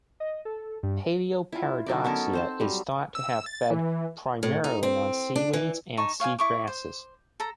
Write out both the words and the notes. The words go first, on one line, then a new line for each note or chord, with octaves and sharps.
"Paleoparadoxia" is thought to have fed primarily on seaweeds and sea grasses.
D#5
A4
G2
E4 F4
D3 F#3 D#4 D5
B3 C#4 A4 A#4
C4 C5 A5
F#3 G3
E6
A6
E3
A2
D#4
C4
D4
E3
D#4 A5 C#6
C#5 F5 G5 G#5
E4 C#6 D6
C5
A4 A#5